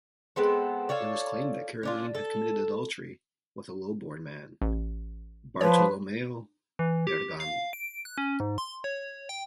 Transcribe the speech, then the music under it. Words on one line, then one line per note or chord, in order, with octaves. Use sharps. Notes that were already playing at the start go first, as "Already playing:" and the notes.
It was claimed that Caroline had committed adultery with a low-born man: Bartolomeo Pergami.
G#3 B3 C4 A4
F4 A4 C#5 D5
C#4 D4 F4
A4
A1
F3 B4 C#5
E3
G4
F5
D7
F#6
C#4
G#2
C6
C#5
G5